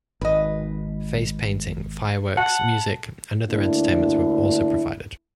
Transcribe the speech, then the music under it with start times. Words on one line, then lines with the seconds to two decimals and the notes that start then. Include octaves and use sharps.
Face painting, fireworks, music, and other entertainments were also provided.
0.21 G#1 B4 D#5
2.37 F#5 A5
3.49 D2 A#3 D4 E4